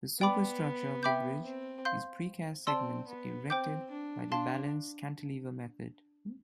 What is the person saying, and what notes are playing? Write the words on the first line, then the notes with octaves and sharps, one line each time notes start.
The superstructure of the bridge is pre-cast segments erected by the balanced cantilever method.
B3 D5 G5 B5 D6
E5 G5 B5 D6 G6
C4
F5 C6 G6
C4 D5 A5 C6 E6
B3
C4 C5 G5 D6 G6
D4
D4 F5 A5 C6